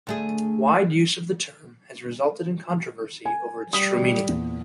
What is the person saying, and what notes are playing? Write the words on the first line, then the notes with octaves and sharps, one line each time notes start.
Wide use of the term has resulted in controversy over its true meaning.
D2 A3 G#4
G#5
G3 D#6 B6
E2 A#2